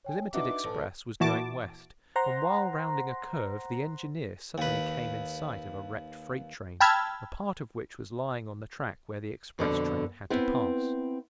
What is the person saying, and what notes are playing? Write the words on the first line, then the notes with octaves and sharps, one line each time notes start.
The limited express was going west, and while rounding a curve the engineer suddenly came in sight of a wrecked freight train, a part of which was lying on the track where the express train had to pass.
C#5 G5 G#5
D4 D#4 F#4 B4 E5 D6
A#1 A4 B4 A5
A#2 E3 E4 F#4 A5 D6
C5 F#5 A#5 C6
D#2 B4
G5 A5 B5 E6 F6 G#6
F2 B2 D3
B3 C4 E4 B4